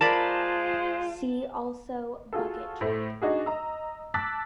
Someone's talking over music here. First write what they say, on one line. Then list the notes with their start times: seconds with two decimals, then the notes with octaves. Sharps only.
See also bucket trap.
0.01 G#3 F4 A#4 C5 D5 A5 B5
2.33 F4 F#4 G#4 A4
2.81 A2 A3 C5
3.22 D4 D#4 F#4 G#4
3.46 D#5 A#5 E6
4.14 A5 D6 E6 F#6 A6 B6